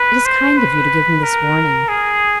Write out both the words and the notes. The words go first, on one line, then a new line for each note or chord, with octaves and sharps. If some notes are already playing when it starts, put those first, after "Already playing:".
It is kind of you to give me this warning.
Already playing: B4
C5
B4
A#4
G#4